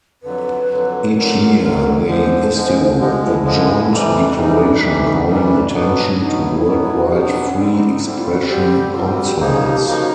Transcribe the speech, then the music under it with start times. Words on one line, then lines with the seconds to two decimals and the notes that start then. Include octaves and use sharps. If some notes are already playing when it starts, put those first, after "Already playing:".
Each year, they issue a joint declaration calling attention to worldwide free expression concerns.
0.23 F2 D3 F#3 B4
0.69 F2 D3 F#3
1.15 F2 D3 F#3 A#4
1.61 F2 D3 F#3
2.06 D3 F3 G#3 C5
2.52 D3 F3 G#3
2.98 D3 F3 G#3 G4
3.13 F4
3.23 F4
3.29 E4
3.43 D3 F3 G#3
3.90 F2 C3 E3 G3
4.30 D4
4.35 F2 C3 E3 G3 D#4
4.59 D4
4.73 D#4
4.81 F2 C3 E3 G3 D4
4.95 E4
5.04 D#4
5.27 F2 C3 E3 G3 D#4
5.35 D4
5.43 C#4
5.51 D4
5.73 B2 F#3 B3
6.19 B2 F#3 B3 D#4
6.42 E4
6.64 B2 F#3 B3 E4
6.80 E4
6.95 F#4
7.11 B2 F#3 B3 G4
7.26 D4
7.41 C#4
7.56 D3 G3 C4 D4
7.72 D#4
7.87 D#4
8.02 D3 G3 C4 E4
8.18 F4
8.34 F#4
8.48 D3 G3 C4 G4
8.94 D3 G3 C4 F4
9.10 F#4
9.24 G4
9.40 C#3 F3 A#3 D#4 G#4
9.63 G4
9.85 C#3 F3 A#3 D#4 F#4